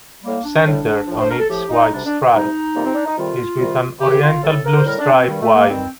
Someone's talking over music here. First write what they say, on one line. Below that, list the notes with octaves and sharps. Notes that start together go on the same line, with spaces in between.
Centered on each white stripe is with an oriental blue stripe wide.
A2 G3 A#3
D4
A2 G3
A2 F3
C5
A#4
A4
A2 F3 G4
D#4
D2 C3 G3 D4
D4
D2 C3 G3 D#4
F2 C3 D#3 G3 A#3
C4
D4
D#4
F2 C3 D#3 G3 F4
C2 C3 D#3 G3
C2 C3 D#3 G3 G4
F4
A2 G3 A4
A#4
C5
A2 G3 A#4
D4
C4
G2 D#3 G3
A3
A#3
G2 D#3 G3 C4